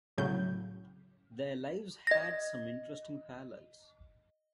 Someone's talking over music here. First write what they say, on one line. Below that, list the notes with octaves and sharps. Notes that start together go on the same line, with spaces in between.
Their lives had some interesting parallels.
C2 A2 C#3 F#3 G6
D#5 A#6